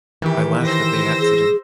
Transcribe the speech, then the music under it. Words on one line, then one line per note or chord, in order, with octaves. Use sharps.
I laughed at the accident.
D#3 E3 G4
C5 E6 A#6
G#4